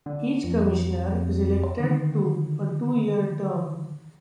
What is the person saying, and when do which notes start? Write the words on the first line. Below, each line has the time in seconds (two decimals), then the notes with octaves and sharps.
Each Commissioner is elected to a two-year term.
0.06 D3
0.44 F2
1.79 D3 D#3